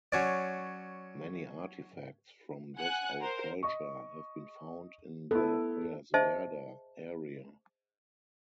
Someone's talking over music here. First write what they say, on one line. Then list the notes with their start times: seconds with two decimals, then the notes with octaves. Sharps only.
Many artifacts from this old culture have been found in the Hoyerswerda area.
0.12 F#3 C#4 D5
2.77 F#5 G#5 F#6
3.19 A#4 C5
3.63 D#5 C#6
5.31 B3 E4 A4
6.14 G#4 C5 D#5 E5 A5